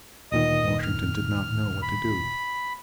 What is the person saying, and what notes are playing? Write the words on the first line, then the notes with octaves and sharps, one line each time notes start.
Washington did not know what to do.
D2 A#2 D#3 D#5 D#6
F6
B5